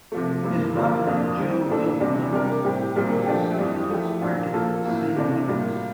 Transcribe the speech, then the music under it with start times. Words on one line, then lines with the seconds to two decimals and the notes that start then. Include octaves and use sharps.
His brother, Jo Gilbert Loomis, was a substitute sprinter at the same Olympics.
0.12 C3 F3 A3
0.43 G2 E3 A#3
0.75 D3 F3 A#3 F4
1.06 F2 D3 F3 A#3 D4
1.39 E3 G3 C4
1.69 A#2 A3 D4 A4
2.00 E2 C3 G3 D4
2.32 C3 G3 D4 G4 A#4
2.64 A2 G3 C4 G4
2.95 A#2 G3 C4 G4 A#4
3.26 F3 A3 D4 G4
3.58 F2 E3 G3 D4
3.90 F3 A3 E4 G4
4.21 A#2 F3 A#3 D4 F4
4.53 F3 A#3 F4 A4
4.85 A2 E3 A#3
5.16 C3 E3 A3 D4
5.48 A2 G3 A#3 F4